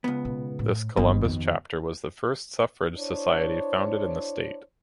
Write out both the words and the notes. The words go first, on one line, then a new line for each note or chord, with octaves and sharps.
This Columbus chapter was the first suffrage society founded in the state.
C#2 B3
B2
A2
G1 D#2 B2
F2
D4 E4 C5 C#5